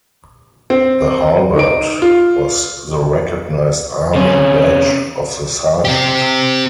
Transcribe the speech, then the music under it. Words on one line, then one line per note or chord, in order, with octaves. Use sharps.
The halberd was the recognized arm and badge of the sergeant.
C4
D#4 D7
F4
C3 C#4
C4 G4